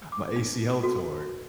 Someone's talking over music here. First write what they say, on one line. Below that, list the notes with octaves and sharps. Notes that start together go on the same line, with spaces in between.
my ACL tore,"
D6
D#4
F#4 A4